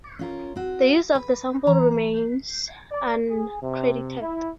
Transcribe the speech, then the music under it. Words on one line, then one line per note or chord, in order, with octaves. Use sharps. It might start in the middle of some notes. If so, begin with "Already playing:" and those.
The use of the sample remains uncredited.
C#4 F4 A#4
C4 F#4
B4
E3 A#5
D5
G#4
C3
E4